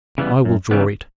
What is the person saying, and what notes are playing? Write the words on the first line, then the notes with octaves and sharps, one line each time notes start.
"I will draw it."
C#3 E3 G3 B3
F#2
C#3 E3 G3 B3